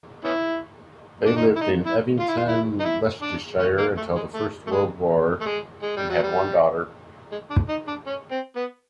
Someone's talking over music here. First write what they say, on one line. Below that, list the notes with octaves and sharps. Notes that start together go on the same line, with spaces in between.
They lived in Evington, Leicestershire until the First World War, and had one daughter.
B3 C#4 E4
D4
D#4
E4
D#4
E4
F4
E4
F4
E4
D#4
E4
D4
C#4
A#3
A3
G#3
A3
A3
G#3
A3
G#3
G#3
G3
F#3
G3
G#3
D4
D#4
D4
C#4
C4
B3